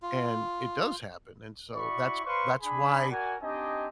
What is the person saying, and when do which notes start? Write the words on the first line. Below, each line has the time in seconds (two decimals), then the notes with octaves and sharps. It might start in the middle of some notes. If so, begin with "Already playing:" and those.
and it does happen, and so, that's that's why,
0.02 F4
1.74 E4 F#4 D5 B5 C#6
2.25 B4 C5 D5 F5 C6 C#6
2.61 D4 G#4 G#5 B5
3.09 F#4 A#4 D5 G#5
3.41 C4 D4 D#4 G4 D#5 G#5